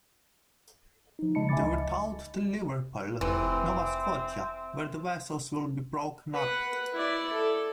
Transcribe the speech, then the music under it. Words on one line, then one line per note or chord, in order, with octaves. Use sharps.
They were towed to Liverpool, Nova Scotia where the vessels will be broken up.
F3 D#4
C#3 G#3 D#5 A5 B5 C#7
E5 G#5 B5 D6 A6
C#2 D#5
F1 E3 C4
B4 F#5
E4 D5
A4